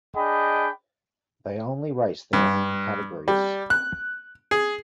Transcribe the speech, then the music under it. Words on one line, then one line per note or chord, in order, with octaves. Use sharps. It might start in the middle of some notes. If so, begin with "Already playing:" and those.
They only race their own categories.
D4 G#4 D#5 G5 B5
G2
G3
F#6
G#4